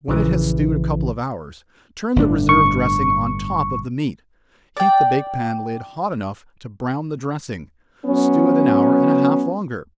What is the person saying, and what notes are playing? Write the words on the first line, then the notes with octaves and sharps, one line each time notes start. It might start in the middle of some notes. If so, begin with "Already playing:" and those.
When it has stewed a couple of hours, turn the reserved dressing on top of the meat, heat the bake pan lid hot enough to brown the dressing, stew it an hour and a half longer.
A#1 C#3 E3
G1 A2 D4
C#6
D5 G5
F#3 B3 C#4